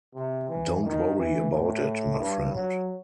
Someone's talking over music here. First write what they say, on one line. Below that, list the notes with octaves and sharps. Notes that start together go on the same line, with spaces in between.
Don't worry about it, my friend.
C3
E3
D#3
E3
A2
G2
F#3